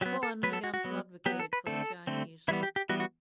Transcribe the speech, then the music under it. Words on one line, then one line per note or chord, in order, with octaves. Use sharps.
Cohen began to advocate for the Chinese.
F#3 B3 G4
A4
F#3 B3 B4
A4
F#4
F#4
F#3 B3
F#3 B3 G4
A4
B4
D3 A3 C4 A4
D3 A3 C4
E3 G3 B3 E4
G4
G4
E3 G3 B3 F#4
F#4